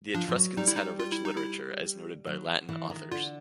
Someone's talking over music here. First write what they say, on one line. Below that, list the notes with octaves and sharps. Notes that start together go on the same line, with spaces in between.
The Etruscans had a rich literature, as noted by Latin authors.
F3 D4
F3
F#3
G3 D#4
E4
D#4
F4
E4
D#4
E4
F#3
E3
D#3
D3 F4